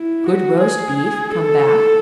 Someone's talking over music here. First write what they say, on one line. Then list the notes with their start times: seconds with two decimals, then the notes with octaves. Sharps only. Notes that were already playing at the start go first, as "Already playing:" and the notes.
Could roast beef come back?
Already playing: E4
0.26 F#4
0.61 G#4
1.30 A4